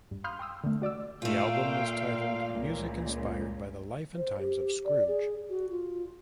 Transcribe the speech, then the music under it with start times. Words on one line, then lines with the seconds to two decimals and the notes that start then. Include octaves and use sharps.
The album is titled "Music Inspired by the Life and Times of Scrooge".
0.11 G2
0.24 F5 B5 C6 D#6 F6 G6
0.39 G5 C6 D#6 E6
0.64 D3 A3
0.82 F#4 D5 D6 E6
1.22 A#2 A3 F4 F5 G5
2.54 C#2
4.17 C5
4.39 G4
4.85 D5
5.08 G#4
5.50 F#4
5.71 F4